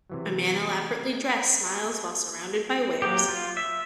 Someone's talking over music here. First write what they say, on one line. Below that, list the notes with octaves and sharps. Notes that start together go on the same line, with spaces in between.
A man, elaborately dressed, smiles while surrounded by wares.
C3 E3 F#3
F#3 A#3 G4
F4
E5